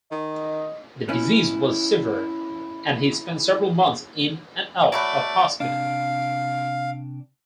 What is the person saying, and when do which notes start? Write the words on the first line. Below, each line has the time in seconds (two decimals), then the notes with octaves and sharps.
The disease was severe and he spent several months in and out of hospital.
0.12 D#3 D#5
1.09 B3 C#4 E4
4.92 F#3 A3 B4 D5
5.60 C3 D4 F5